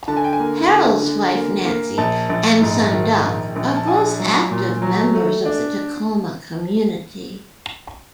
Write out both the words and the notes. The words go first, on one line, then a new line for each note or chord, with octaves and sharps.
Harold's wife, Nancy, and son, Doug, are both active members of the Tacoma community.
D3 A5
G#5
G5
G#5
A#3
D3
D3
A#3
A#3
A#1 A5
A#1
G#2
D#3
A#1
A#1
A5
D4 G#5
F#3
A#2
F#3
A3
D4